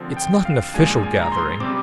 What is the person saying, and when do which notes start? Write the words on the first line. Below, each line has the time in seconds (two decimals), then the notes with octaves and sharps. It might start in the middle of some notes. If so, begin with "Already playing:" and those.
"It's not an official gathering."
Already playing: D3 F3 C4
0.17 G5
0.45 F5
0.74 A#2 F3 G#3 D4 G#5
1.03 G#5
1.21 A#5
1.32 C6
1.60 C3 G3 C4 D6